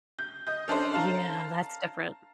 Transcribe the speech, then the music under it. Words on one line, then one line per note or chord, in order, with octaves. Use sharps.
Yeah, that's different.
G6
D#5 G6
C#4 D4 A4 C5
F5 A5 A#5